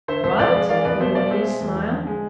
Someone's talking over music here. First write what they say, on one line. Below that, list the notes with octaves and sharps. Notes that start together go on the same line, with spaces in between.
"What?" with an amused smile.
D3 C5 E5
F2 C5 E5
F2 D5 F5
G#3
E3 D5 F5
F2 B4 D5
B2 C5 E5
B2 D5 F5
G#3 C5 E5
G#3
E2
F3
D3
G#3